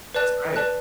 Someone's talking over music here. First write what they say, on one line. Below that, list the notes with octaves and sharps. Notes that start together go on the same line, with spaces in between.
That's great.
B4 D5 A5 F#6
B4 D5 A5 F#6